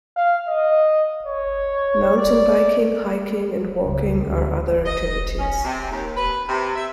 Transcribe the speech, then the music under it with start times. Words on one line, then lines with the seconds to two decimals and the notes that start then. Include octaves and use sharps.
Mountain biking, hiking, and walking are other activities.
0.17 F5
0.48 D#5
1.26 C#5
2.17 D5
3.83 C#2
4.23 D2
4.86 D#5
5.39 C#4
5.64 C3
5.92 D#2
6.16 B4
6.49 C3
6.76 E5